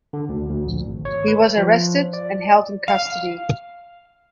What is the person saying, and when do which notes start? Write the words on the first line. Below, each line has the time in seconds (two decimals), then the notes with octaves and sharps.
He was arrested and held in custody.
0.13 D3
0.29 D2
0.50 D2
0.66 A#1
0.85 G#1
1.05 C#5
1.28 B4
1.58 F3
2.13 D5
2.88 F5